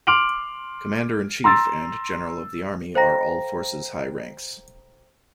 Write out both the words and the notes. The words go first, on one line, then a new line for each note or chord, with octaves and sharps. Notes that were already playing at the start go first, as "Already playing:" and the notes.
Commander in Chief and General of the Army are all-forces high ranks.
C6 D6 F6 D7 F7 F#7
A#5 C6 E6 A6
A4 C5 F5 G5 A#5 A#6